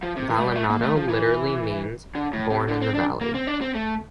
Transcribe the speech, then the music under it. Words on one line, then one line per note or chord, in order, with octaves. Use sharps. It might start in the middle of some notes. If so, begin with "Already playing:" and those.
"Vallenato" literally means "born in the valley".
F3
C3
E3
A3
G3
A3
A#3
A3
F3
E3
D3
A2
C3
D3
C4
D4
A#3
C4
D4
C4
A3